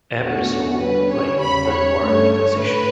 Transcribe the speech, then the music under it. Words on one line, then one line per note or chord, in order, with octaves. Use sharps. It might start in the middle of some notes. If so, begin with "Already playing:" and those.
Ebersole played the guard position.
E2 D3 A3 C#4 F#4
D3 G3 C#4 B4
C#5
E2 C#3 G3 B5
C#5
G2 D3 A3 C#4
A2 B4